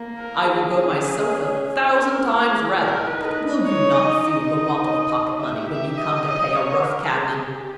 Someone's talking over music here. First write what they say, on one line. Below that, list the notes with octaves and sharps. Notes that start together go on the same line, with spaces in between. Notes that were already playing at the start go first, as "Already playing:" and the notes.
I will go myself a thousand times rather!--But will you not feel the want of pocket-money when you come to pay a rough cabman?
Already playing: A#3
A#4
G#4
C#4
E4 A#4
G#4
A#4
D#4 B4
C#5
D#5
D#5
G4 E5
E5
D#5
D#5
C#5
A#4
G#4
G4